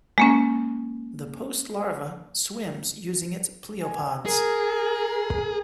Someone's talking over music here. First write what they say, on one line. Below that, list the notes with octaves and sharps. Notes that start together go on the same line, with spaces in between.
The post-larva swims using its pleopods.
G#3 A#3 C#4
G#5
G#4 A#4